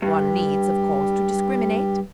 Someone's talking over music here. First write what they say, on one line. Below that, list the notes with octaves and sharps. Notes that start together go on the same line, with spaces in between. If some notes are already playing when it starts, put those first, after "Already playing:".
One needs, of course, to discriminate.
G2 G4